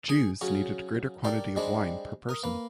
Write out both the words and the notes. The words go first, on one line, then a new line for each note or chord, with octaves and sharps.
Jews needed a greater quantity of wine per person.
G#4 G#5
C#3 F#3 C#4
G4 A4 A#4 D5
G3 G#3 C4 D4
A#4 D#6
A#3 B4